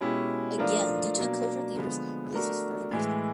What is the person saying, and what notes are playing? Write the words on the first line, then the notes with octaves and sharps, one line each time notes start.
Again due to closure of theaters release was further postponed.
B2 G#3 C#4 E4 G4
F3 A3 D4 F4 A#4
B2 F#3 A#3 D4
D3 F3 G#3 B3
A3 D4 F#4 A#4
A2 E3 G#3